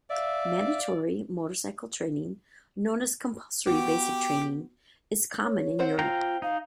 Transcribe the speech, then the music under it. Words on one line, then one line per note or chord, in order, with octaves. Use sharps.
Mandatory motorcycle training, known as Compulsory Basic Training, is common in Europe.
D5 E5 F5
B3 F#4 G4 D6
C#5
C4 C5 F#5
F4 F5 G5 A#5
D#4 F5